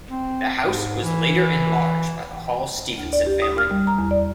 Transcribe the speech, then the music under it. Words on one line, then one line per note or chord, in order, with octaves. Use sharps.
The house was later enlarged by the Hall-Stephenson family.
C4
G#2
E3
D2
D5
G4
D#6
F6
G3
A#5
E2
D5